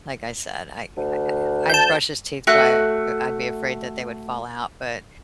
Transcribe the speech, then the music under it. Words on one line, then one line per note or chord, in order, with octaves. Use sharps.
like I said, I I I I'd brush his teeth but I I'd be afraid that they would fall out, but
D2
A5 G6
A3 F#4 F#6